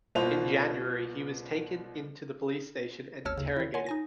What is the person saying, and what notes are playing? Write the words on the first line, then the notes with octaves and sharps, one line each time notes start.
In January he was taken into the police station and interrogated.
C2 B2 F4 B4 C5 F7
G1 D2 C#5 A5 E6 F6
D#2 C#3
D#3 E4
C#5 F#5 G#5 C6
D#4 G#5 A#6